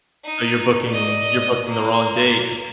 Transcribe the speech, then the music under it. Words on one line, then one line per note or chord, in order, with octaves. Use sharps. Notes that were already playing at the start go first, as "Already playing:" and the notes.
So, you're booking you're booking the wrong date.
D#4
D5 D#5
A#3